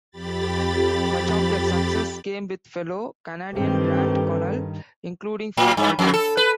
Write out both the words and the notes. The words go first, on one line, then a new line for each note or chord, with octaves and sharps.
Much of that success came with fellow Canadian Grant Connell, including four titles.
F2 G4 B5 A6
G2 D#3 C4 G4 A4 B4
A2
G2
F2
A4
B4